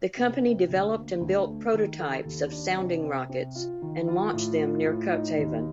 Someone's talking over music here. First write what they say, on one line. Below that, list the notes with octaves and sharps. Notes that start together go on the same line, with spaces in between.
The company developed and built prototypes of sounding rockets and launched them near Cuxhaven.
C3
C3
D2
A#3
D2
A3
D#3
A4
D#2
D4
C3
C3
C3
F4
D#3
F4
A2
F4
A2
D#4
D#2